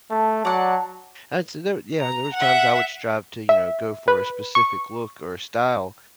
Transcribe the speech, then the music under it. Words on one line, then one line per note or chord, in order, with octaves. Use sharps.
that's there yeah there was times I would strive to, you know, go for a specific look or a style,
A3 A5
F#3 D5 F#5
A#5
E5 F#5
E5
B4
C#6